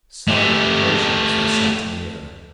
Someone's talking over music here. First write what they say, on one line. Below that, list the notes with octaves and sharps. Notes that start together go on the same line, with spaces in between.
Silent, motionless, I sat near her.
A3 G4